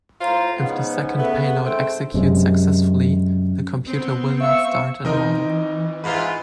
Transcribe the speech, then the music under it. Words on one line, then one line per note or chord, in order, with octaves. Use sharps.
If the second payload executes successfully, the computer will not start at all.
A2 F4 C5 A#5
G#2 C#3 B3
C#3 A3 B3
G#2 A3 C4 C5
F#2 C3 G#3
B3 C4
E5 F5 C#6 E6
E3 C4 D#4 A#4 C5 D#5
G#2 E3 F4 B4